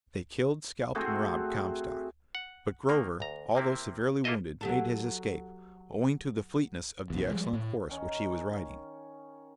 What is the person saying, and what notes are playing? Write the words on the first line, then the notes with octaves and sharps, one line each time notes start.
They killed, scalped and robbed Comstock; but Grover, although severely wounded, made his escape, owing to the fleetness of the excellent horse which he was riding.
A3 C4 F#4 G#4
F#5
D#3 A#3
D2 A#5
C3 A#3 C4 E4
A#3 E4 F4 A4 D#5 E5
F#3 G4 A4
B1 E2
F3 G3 G#3
A2
D#3 C#4 D#4